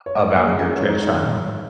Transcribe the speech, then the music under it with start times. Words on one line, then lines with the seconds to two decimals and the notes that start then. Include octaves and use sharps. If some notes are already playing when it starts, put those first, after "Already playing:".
about your trans child?
0.06 C#5
0.15 G#3 D#5
0.30 C#5
0.37 A#3
0.45 G#4
0.59 C#4 A#4
0.75 C#5
0.81 G#3
0.89 D#4
1.04 G#3
1.15 D#3
1.26 A#2
1.37 G#2